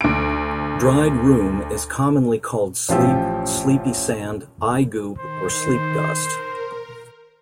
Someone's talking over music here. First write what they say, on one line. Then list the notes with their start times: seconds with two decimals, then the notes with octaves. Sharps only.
Dried rheum is commonly called sleep, sleepy sand, eye goop or sleep dust.
0.01 D2 D7
2.89 A1 F3 C#4 F4 G4 E6
5.18 D#3 C5
6.16 A#4